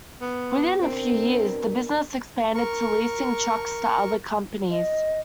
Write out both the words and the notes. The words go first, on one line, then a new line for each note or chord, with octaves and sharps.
Within a few years, the business expanded to leasing trucks to other companies.
B3
B2 C4 D4 A#4
A#4 C#6
D#5